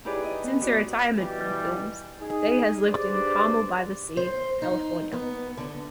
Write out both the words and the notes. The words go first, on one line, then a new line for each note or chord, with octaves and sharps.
Since her retirement from films, Day has lived in Carmel-by-the-Sea, California.
D#4 E4 G4 G#4 B4 D5
D#5
B3
D#4 F#4 D5
B2 E3 G3
D#4 G#4
D4 G4 G#4 B4 C5 D5
C5
D#4
B3
D3